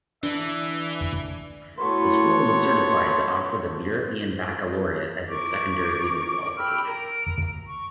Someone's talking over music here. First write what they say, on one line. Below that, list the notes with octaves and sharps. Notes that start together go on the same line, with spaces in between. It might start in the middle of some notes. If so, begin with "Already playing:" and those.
The school is certified to offer the European Baccalaureate as its secondary leaving qualification.
E3 D4 E5
A2 B3 F#4 A4 B4 C#5 C6
A#4 C#6 D6
G5 B5 E6 F6
A#4 A#5
C#6